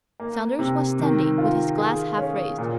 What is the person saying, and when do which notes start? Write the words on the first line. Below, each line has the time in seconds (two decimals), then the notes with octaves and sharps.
Saunders was standing with his glass half raised.
0.20 A#3
0.59 C3
0.99 D#3
1.38 F4
1.78 G#4
2.18 C#4
2.58 A#2